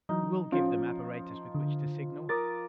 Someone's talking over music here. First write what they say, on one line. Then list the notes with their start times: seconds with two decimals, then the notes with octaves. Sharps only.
"You will give them apparatus with which to signal?"
0.09 E3 F#3 D#4
0.52 F3 C#4
1.54 D3
2.29 A#4 D6 D#6 A6